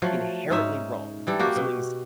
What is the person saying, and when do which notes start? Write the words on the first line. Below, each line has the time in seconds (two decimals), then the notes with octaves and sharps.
inherently wrong, if something's
0.02 F3 F#3 A3
0.50 G#2 C#4 D#4 E5
1.27 E3 G3 A4
1.39 A#3 F#4 G4
1.56 B2